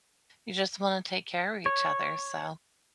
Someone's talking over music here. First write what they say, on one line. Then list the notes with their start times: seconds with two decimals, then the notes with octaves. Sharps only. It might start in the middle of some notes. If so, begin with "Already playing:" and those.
you just wanna take care of each other, so
1.66 C#5